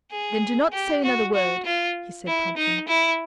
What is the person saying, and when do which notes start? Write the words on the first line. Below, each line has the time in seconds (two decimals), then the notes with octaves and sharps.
"Then do not say another word," he said, promptly.
0.12 G#4
0.73 G4
1.04 F#4
1.35 F#4
1.65 F4
2.27 E4
2.57 D#4
2.88 E4